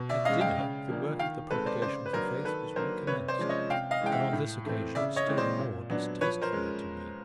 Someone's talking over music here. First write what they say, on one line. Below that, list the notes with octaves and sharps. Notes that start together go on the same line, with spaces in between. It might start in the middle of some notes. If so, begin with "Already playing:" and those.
At dinner the Work of the Propagation of the Faith was recommenced, and on this occasion still more distastefully to me.
Already playing: B2
D5 E5
G#3 C#4 D#5 F5
F5 G5
C#3
F3 A#3 D4
D#3 F5 G5
G#3 C4 A4 B4
C5 D5
C#3 C5 D5
B4
F#3 A#3 D4 A#4 C5
D#3 A4 B4
F#3 A#3 D4 A#4 C5
C3 B4 C#5
C5 D5
F3 G#3 C#4 D5
C#5 D#5
C3 F5 G5
D#5 F5
E3 G#3 C#4 G5
E5 F#5
A2
E3 A3 C4
C#3 D5 E5
C#5 D#5
E3 G#3 C4
C5 D5
A#2
F#3 B3 D4
F3 B4 C#5
A#4 C5
G#3 C#4